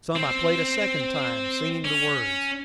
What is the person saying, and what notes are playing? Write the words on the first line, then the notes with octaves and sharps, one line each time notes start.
Some I played a second time, singing the words.
C4
C#4